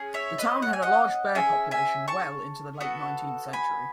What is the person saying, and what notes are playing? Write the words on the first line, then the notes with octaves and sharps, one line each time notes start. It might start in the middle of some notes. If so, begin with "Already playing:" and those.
The town had a large bear population well into the late nineteenth century.
Already playing: C#4 G#4
C#5 E5
B4 D#5
F#5
G#5
D#5 F#5
C#4 G#4 E5 G#5
E5 G#5
A5 C#6
B3 F#4 A4
G#5 B5